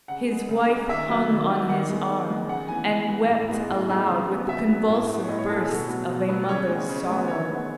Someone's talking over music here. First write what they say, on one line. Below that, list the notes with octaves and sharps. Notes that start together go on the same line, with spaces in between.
His wife hung on his arm, and wept aloud with the convulsive bursts of a mother's sorrow.
C#3 F#5
G#3 B3
C#3
G#3 B3
D#3 E5
F#3 B3
D#3
F#3 B3
D#3 F#5
G#3 B3
D#3
G#3 B3
C#3 F#5
E3 B3 G#5
C#3
E3 B3
A2
G#3 B3
A2
G#3 B3
C#3
F#3 B3
C#3 E5
F#3 B3
A2
G#3
B3
C#5
A2 D#5
C#5
G#3 B3 A4
G#4
B2 A4
F#3 B3
B2
F#3 B3
C#3 C#5
G#3 B3
C#3
G#3 B3
D#3 C#5
G#3 B3